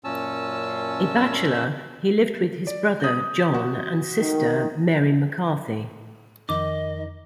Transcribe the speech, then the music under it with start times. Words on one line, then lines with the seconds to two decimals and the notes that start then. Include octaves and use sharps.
A bachelor, he lived with his brother, John, and sister, Mary McCarthy.
0.04 F#2 A#2 C#4 A5 E6
2.67 D5
3.00 D#6 G6
3.54 F#4
4.19 D#3
6.49 F2 D#3 D#5 D6